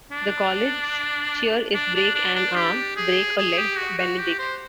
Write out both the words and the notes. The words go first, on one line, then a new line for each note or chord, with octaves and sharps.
The college's cheer is Break an arm, break a leg, Benedict!
D4
D4
D4
D4
D4
G4
G#4
G#4
G4
F#4
F#4
G4
C5